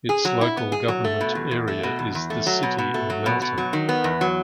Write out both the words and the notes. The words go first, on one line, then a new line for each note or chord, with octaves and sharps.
Its local government area is the City of Melton.
G#4
F#3
E4
B3
G#4
F#3
A3
B2
E2
E2
A3
B2
E2
E2
A3
F#3
B2
B2
A3
F#3
B2
B2
F#3
D#3
B3
E2
F#3